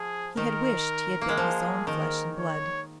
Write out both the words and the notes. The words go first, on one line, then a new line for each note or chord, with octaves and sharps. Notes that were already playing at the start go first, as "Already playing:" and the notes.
He had wished he had been his own flesh and blood.
Already playing: F3 G#4
D#3 A#4
A#3
G#3
F3 G#4
D#3 A#4
C#5